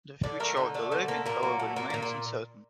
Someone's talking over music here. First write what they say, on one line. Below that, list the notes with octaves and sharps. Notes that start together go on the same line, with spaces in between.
The future of the levee, however, remains uncertain.
D3 D5
A3 A#4
D3 D#4
A3 D4
D3 C4
A3 A#3
A#2 A#3
F#3
A3
A#2 A#3
A#3
A#2
A#3